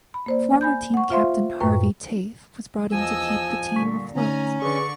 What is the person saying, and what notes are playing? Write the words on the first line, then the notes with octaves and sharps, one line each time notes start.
Former team captain Harvey Tafe was brought in to keep the team afloat.
B5
A#3 C5 D5
G#5 B5 G6
F#5 C#6
F4 C5 E5 F5 C6
F#2 A2 B4 G5 C#6
E2 F3 D#5 G#5 E6
A#2 D3 G3 C#6 B6
D3 A3 C#4 D#4 G#5 A#5
D3 G#4 B4 D5 C#6